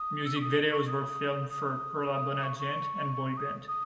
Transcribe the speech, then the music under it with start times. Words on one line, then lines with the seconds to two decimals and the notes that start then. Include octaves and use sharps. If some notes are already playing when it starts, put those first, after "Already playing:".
Music videos were filmed for "Per la bona gent" and "Boy Band".
Already playing: D#6
0.25 E6
0.36 C#6
0.41 D#6
0.72 C#6
0.87 D#6
1.50 D#6
2.12 D#6
2.43 C#6
2.59 C#6
3.37 D#6
3.68 D#6